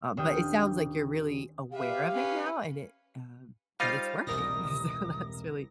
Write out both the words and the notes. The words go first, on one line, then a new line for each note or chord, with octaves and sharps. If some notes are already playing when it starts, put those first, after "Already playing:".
um, but it sounds like you're really aware of it now and it, uh that it's working, so, that's really
D#1 D4 E5 G5 D#6 F6
G4 B4 E5 F5
C#4 B4
G3 D#4 F4 C5 F5
E1 C2 A2 A#4 D#6 A#6